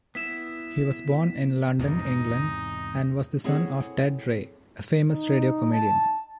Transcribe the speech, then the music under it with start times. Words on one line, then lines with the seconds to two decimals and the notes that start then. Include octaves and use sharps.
He was born in London, England and was the son of Ted Ray, a famous radio comedian.
0.15 B3 E4 B6 E7
1.79 E2 G#2 C3 D#4
3.44 C4 E4 G#4 A4 C#5 F#5
5.08 D#4
5.72 A5